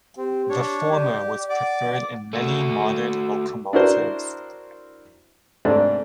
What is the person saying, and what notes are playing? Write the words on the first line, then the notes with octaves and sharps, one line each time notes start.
The former was preferred in many modern locomotives.
C4 G4
D4 C#5
G4 D5
D5 F#5 D6
A3 F#4
D4 E4 F#4 A#4 C5
G#2 C3 A3 C4 D4